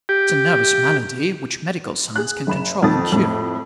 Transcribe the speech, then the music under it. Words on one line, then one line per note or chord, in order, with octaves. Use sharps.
It's a nervous malady, which medical science can control and cure.
G4
G#4 F#6
F#1 B5 E7
F2 D#3 D#6 A6
F2 A2